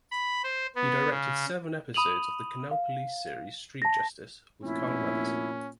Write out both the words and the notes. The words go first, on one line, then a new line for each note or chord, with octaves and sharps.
He directed seven episodes of the Cannell police series Street Justice with Carl Weathers.
B5
C5
B3
C#3
B5 D#6 D#7 F7 F#7
F5
A5 A#6
F1 A#2 C#4 E4